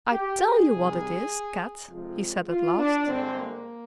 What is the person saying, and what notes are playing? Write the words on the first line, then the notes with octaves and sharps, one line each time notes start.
"I tell you what it is, Kat," he said at last.
G4
G#4
C2 C3 D#3 G3
F2 C3 F3 G#3 F4
F4
D4
G1 G2 D3 G#3 C4
A#3